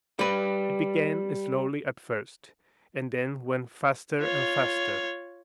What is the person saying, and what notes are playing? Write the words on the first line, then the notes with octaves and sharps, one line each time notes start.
It began slowly at first and then went faster and faster.
G3 B4
F4 C#5